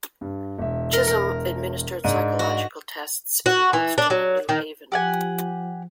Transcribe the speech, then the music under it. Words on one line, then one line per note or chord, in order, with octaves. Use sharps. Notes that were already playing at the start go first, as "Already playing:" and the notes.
Chisholm administered psychological tests in Boston and New Haven.
G2
E1 E5
A#4
A#4
G#2 D4 D#7
F#4
F#4
E3
D4
F#3
D#3
F3 G4 F#5 G#5